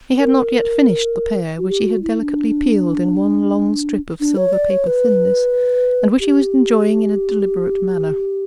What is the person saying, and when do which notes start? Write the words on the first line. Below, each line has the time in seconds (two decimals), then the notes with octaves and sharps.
He had not yet finished the pear, which he had delicately peeled in one long strip of silver-paper thinness, and which he was enjoying in a deliberate manner.
0.19 A#4
1.59 F#4
1.69 G4
1.86 F#4
2.02 E4
2.20 D4
4.20 D4
4.37 C#5
4.53 D5
4.70 C#5
4.87 B4
6.20 G4